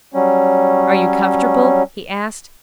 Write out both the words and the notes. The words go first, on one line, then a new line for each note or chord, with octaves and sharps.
"Are you comfortable?" he asked.
F#3 G3 C#4